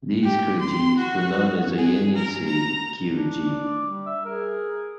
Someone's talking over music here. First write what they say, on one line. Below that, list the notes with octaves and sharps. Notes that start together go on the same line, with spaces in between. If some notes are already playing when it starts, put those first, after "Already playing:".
These Kyrgyz were known as the Yenisei Kyrgyz.
G4
C6
F#4
G#4
A#4
A#5
D4
D5
G3
E5
G#4 A#4